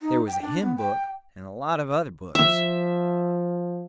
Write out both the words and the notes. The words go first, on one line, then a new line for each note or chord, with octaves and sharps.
There was a hymn book, and a lot of other books.
D#4
G5
D4
B3
G5
F3 E5